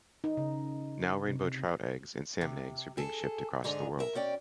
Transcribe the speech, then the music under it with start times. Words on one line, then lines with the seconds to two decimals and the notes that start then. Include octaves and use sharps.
Now rainbow trout eggs and salmon eggs were being shipped across the world.
0.24 D#4
0.37 C#3
1.26 C3
2.41 C3
2.97 G#4 A4
3.64 G#2 D3 G#4 A#5
3.99 A#4 E5
4.15 B2 C#4 D5 G5